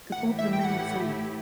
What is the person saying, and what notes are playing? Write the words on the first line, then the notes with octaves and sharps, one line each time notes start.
The Pope remained firm.
A2 E3 A3 E4 G4 F#5
E5
G5
F#5